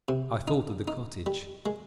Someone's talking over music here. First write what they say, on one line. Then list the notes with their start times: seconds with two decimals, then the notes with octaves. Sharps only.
I thought of the cottage.
0.08 C3
0.48 D#4
0.88 D#4
1.26 G3
1.66 G#3